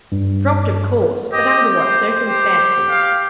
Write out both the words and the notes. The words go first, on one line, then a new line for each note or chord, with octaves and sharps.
Dropped, of course; but under what circumstances?
G2
G4 D#5
C5
G4
F5